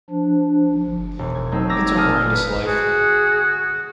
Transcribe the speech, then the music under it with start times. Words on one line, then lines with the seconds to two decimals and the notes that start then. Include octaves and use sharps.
It's a horrendous life.
0.10 F3 D4
1.19 E1
1.35 G#6
1.52 F#3 A3 C4 D#4
1.69 A#5 D6 E6 G#6 A#6
1.96 A3 C4 A4 G#5 D#6 F6
2.31 B4
2.67 F#4 G#4